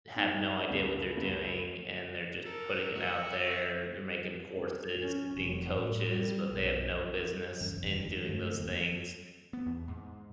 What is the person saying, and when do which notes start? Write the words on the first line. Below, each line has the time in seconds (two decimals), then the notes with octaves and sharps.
have no idea what they're doing, and they're just putting it out there. They're making courses, being coaches, but they have no business in doing those things,
0.16 D#4
0.70 C#2
1.17 C#2
2.45 A4 A#4
2.95 F#4 E5
5.01 C#4
5.35 F1
5.73 A2
6.07 G3
6.51 B1
7.60 E1 G2 E3 C#4
7.74 G1 C2 F2
7.91 E1 D#3
8.08 G#3
8.29 G2 D#3 A3 C#4
8.57 D1 E2 D#3 A#3
9.53 B3
9.66 E2
9.88 G#2